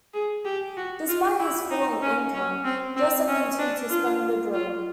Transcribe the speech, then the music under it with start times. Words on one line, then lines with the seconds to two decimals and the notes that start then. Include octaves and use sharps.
Despite his falling income, Dresser continued to spend liberally.
0.14 G#4
0.45 G4
0.77 F#4
1.08 F4
1.39 E4
1.70 D#4
2.02 C#4
2.34 C#4
2.64 C4
2.96 C4
3.28 C#4
3.59 D4
3.89 F4
4.53 F4